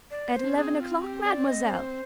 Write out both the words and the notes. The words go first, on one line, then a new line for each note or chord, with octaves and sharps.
"At eleven o'clock, mademoiselle?"
D5
C5
D4
C4
G#4
F4
G4
D5
D#5
C5